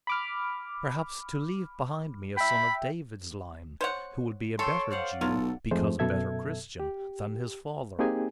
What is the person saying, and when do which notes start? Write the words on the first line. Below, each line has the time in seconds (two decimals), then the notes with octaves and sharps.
Perhaps to leave behind me a son of David's line, who will be a better Jew, because a better Christian, than his father....
0.07 B5 D6 F6
2.37 E5 G5 B5
3.81 C5 C#5 F#5
4.59 A4 C#5 G5 C6
4.90 C5 D5 F5 F#5
5.21 B1 F#3 F4 A4
5.71 F2 G#2 G#3 A3 C5
5.99 F#2 B2 A4 E5 G#6
6.80 G4
7.99 A#3 C4 D#4 G4 G#4 G#5